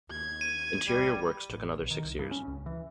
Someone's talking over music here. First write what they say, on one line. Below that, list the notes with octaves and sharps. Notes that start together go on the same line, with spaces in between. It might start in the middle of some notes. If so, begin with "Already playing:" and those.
Interior works took another six years.
D#2 G#6
D#7
A1 G3
A1
B1
D#3
C2
G2
C#4
C#2
E3